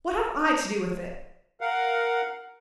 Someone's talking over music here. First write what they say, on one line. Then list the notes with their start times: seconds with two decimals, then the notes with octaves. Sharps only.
What have I to do with it?
1.61 A#4 F5 F#5